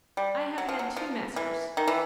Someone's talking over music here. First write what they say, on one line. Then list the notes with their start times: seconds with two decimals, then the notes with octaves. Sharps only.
I have had two masters.
0.17 G3
0.58 F#3
0.69 F3
0.79 F#3
0.97 F3
1.36 E3
1.77 D#3
1.88 E3